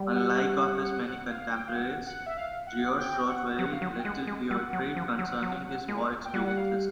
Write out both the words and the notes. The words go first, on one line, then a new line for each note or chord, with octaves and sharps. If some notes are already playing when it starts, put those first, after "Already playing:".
Unlike many of his contemporaries, Garioch wrote very little poetry concerning his war experiences.
Already playing: G3
F#5
F#5
F#5
F#5
F#5
F5
G5
F5
F#5
F#5
E5
F5
F#5
G5
F#5
F#3 F#5
F5
F#3 F#5
G5
G#3 F#5
G#3
G3 F#5
F#3
F3
F#3
F#3
G#3
G5
G3 F#5
F#5
F5